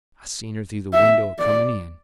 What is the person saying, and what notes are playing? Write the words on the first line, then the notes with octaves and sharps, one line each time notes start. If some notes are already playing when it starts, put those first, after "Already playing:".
I seen her through the window a-comin' in.
E5
D5